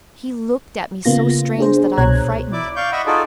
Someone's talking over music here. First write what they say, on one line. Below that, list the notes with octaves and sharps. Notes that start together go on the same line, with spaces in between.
He looked at me so strange that I am frightened.
C#3 A#3 B3 F4 A#6
D4 G#4 C5
C2 B2 C#5 A#5 F#6 G#6
E4 D5 D6
D5 F5 C#6 G6
D#5 E5 F#5 B5 C#6
D#4 F4 F#4 G#4 A4 D5